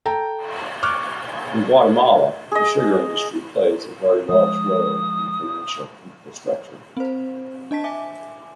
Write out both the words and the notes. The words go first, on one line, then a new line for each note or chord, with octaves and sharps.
In Guatemala, the Sugar industry plays a very large role in the financial infrastructure.
A4 G5 A#5
C#6 D6 F6 F#6
G#4 D#5
F3 G#3 D#6
C4 C5
D4 D#5 A5 B6
E5 G#5 D6